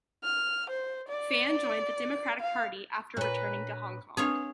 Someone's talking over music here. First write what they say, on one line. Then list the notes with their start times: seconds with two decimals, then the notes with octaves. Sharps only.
Fan joined the Democratic Party after returning to Hong Kong.
0.24 F6
0.70 C5
1.08 D5
2.40 F5
3.17 A#2 D4 F#4 B4 C#5
4.17 C4 D4 G#4 B4 C#5 F5